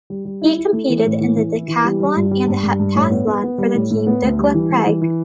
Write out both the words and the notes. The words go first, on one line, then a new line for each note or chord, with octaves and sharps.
He competed in the decathlon and heptathlon for the team "Dukla Prague".
G3
G3
E4
E4
A3
E3
A2
E3
E3
E4
E3
G3
G3
G2
G3
G2
G2
G2
A2
B3
B3
B3
G3
A2
A2
B3
D2
G3
E3
G3
E3
E3